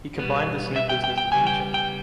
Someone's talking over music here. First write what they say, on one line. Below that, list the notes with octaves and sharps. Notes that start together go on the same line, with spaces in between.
He combined this new business with teaching.
B2 G3 B3
E5
G5
G5
G5
C#3 G3 B3 G#5
G5
G5